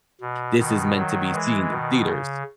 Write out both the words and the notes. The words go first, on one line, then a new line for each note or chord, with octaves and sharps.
"This is meant to be seen in theaters."
B2
B2 D#3
D#3 F#3
E3 G#3
B2 D#3
C#3